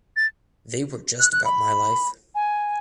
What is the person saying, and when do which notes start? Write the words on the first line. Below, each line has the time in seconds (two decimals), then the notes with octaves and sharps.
They were just about my life.
0.17 A6
1.20 F#6
1.33 F#6
1.45 B5
2.35 G#5